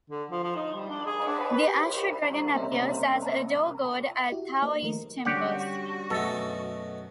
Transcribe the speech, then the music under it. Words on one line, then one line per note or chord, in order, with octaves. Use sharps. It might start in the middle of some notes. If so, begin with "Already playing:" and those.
The Azure Dragon appears as a door god at Taoist temples.
D3
F3
F3
D#4
G3
D4
G#4
D4
B4
B4
G4
A#3 C4 C#4 C#5 D#5 E5
E4 F#4 G4
A#3 D4 B4 C5 D#5
D#3 F3 A3 A#4
D3 G3 C#4 F#4 G4 F#5
F#2 B2 A3 A4 F#5 A#6